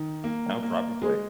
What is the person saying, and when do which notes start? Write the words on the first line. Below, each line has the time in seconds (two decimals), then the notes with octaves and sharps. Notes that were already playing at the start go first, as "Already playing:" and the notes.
Oh, probably.
Already playing: D#3
0.24 A#3
0.63 A#3
1.02 G#3 G#4